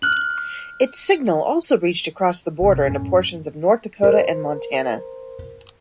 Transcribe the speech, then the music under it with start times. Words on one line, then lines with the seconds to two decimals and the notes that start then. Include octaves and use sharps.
Its signal also reached across the border into portions of North Dakota and Montana.
0.02 F6 F#6 F#7
2.61 G#1 C3
2.86 F#2 A2 C#4
4.03 A#4 C5